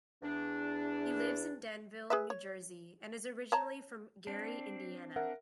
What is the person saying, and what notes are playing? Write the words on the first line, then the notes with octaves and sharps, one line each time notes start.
He lives in Denville, New Jersey and is originally from Gary, Indiana.
E2 D4
G#4 B4 E5
C#5
C#5 A5 A#5
C4 D4
A#4 E5 F#5